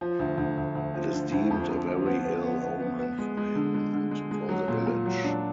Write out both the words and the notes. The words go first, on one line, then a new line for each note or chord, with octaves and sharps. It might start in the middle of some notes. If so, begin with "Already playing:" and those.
It is deemed a very ill omen for him and for the village.
F3
D2
D2
D2
D2
F3
D3
D2
F2
F2
F3
B3
B3
B3
B3
B3
B3
G#3
G#3
D3
G#3
D3
G#3
G#3
F#3
A#2
A#2
F#3
D4